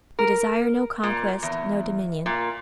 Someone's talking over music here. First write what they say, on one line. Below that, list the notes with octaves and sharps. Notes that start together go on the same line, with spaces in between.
We desire no conquest, no dominion.
A#4
A#2
E2
A#2